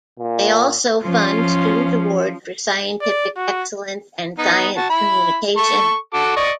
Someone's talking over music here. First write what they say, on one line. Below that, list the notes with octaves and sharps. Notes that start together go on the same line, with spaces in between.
They also fund student awards for scientific excellence and science communication.
A#2
F3 C#4 F4
D5
F#4
B3 D#4
F#4 A5
E4 B5
A4 C#6
F#4 A4 D6
D5 D#5 C#6